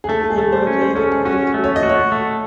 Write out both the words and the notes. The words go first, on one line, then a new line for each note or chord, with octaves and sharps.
They were available in Colombia.
G#4
A3 A4
A4
G#4
A3 A4
C5
C#4
C5
C#4 A4
G#4
C#4 F#4
A3
C#5
D#5
F#4
C#5
A3